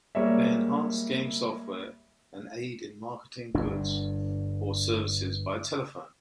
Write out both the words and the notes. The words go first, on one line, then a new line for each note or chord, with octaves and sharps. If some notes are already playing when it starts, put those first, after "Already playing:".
They enhance game software and aid in marketing goods or services by telephone.
G3 G#3 A#3 C#5 E5
G1 G2 D4